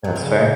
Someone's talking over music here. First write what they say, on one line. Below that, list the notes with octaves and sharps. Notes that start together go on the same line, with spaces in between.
That's fair.
F#3
G#2 C#3 G#3